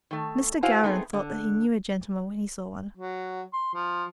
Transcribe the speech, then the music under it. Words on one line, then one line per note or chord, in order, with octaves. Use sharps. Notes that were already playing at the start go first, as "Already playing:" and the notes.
Mr. Gowran thought that he knew a gentleman when he saw one.
D#3 A3
E4 F#4 C5 F5 G#5
A3 B3 C4 D#4 F#4 G#4
D3
F#3
C6
F3